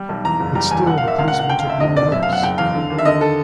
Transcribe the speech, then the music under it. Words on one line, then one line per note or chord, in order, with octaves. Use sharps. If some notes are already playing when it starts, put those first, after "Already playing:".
But still the policeman took no notice.
Already playing: G3
B1
E2 A#5
F#1
G3 A#5
E2 G#5
A#1 F#5
F5
A#2 E5
C#2 F5
F#5
C#2
F#5
D2 G5
F5
D2 E5
F1 D#5
B2 D5
F#2 E5
F#2 F5
F#5
F#1 G5
E2 F5
D3
D#2
E5
D3 D#5
A4